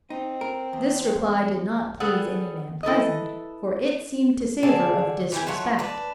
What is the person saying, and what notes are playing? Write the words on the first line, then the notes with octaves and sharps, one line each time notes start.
This reply did not please any man present, for it seemed to savour of disrespect.
C4 D#4
A#4
E2
G3 B3 G#4 A4 F#5
E4 A4 B4 D#5
D3 G#4 D5 A5
E3 G4 G#5
F#3 A3 F4 F#4
D4 B4